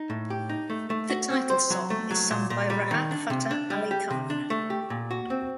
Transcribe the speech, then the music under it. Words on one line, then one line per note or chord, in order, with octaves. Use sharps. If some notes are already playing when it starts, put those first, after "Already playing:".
The title song is sung by Rahat Fateh Ali Khan.
Already playing: D#4
A2
G4
D#4
A3
A3
F#4
C4
C5
F#3
A3
F#3
A#2
A#2
G3
D#3
D4
C3
D4
G3
G4
C3
D4
A3
G4
A#2
F#4
C4